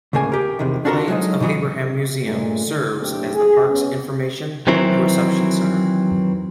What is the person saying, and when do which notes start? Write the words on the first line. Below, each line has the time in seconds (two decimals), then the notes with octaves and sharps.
The Plains of Abraham Museum serves as the park's information and reception centre.
0.13 D2 A2 C#3 A#3 G#5
0.32 G4 A#4
0.59 E2 C3 D#3
0.85 D4 F4 F#4 A4 A#4
1.08 F#3 G#3 D#4
1.40 B2 D#3 E3 F#3 D#4
2.23 G2 A#2 C#3 G#3 A3
2.66 D3
2.99 F#1 B2 A3 C4 D4 G4
3.34 G#4
3.67 G#3 B3 C#4
4.67 D#3 E3 F#3 C4 E4 A#4